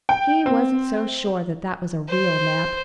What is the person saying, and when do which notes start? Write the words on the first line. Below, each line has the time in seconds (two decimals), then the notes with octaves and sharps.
He wasn't so sure that that was a real nap.
0.09 G5
0.46 C4
2.09 C5